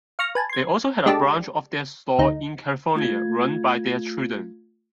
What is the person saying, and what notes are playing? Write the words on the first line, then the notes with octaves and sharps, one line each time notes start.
They also had a branch of their store in California run by their children.
F5 C#6 F6 A#6
B4 G#5 A5
C6 G#6
G#3 D4 G4 A4 D5 A5
D2 D#4
A3 F4 G#6